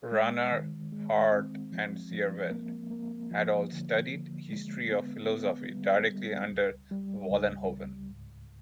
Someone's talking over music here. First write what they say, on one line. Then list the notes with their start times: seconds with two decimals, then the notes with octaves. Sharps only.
Runner, Hart, and Seerveld had all studied history of philosophy directly under Vollenhoven.
0.12 G#3
0.52 D#3
0.92 G#3
1.32 C4
1.72 F3
2.11 F3
2.51 A#3
2.91 A#3
3.31 F3
3.72 D3
4.12 D3
4.50 G#3
4.92 B3
5.30 B3
5.71 G3
6.11 G3
6.50 C#2
6.91 G3
7.31 C#2
7.70 C#2
8.10 G#2